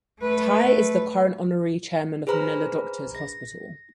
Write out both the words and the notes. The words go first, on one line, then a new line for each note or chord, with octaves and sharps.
Ty is the current honorary chairman of Manila Doctors Hospital.
A3 B4
G#4 B4 C5 A#5 B5 F6
A#6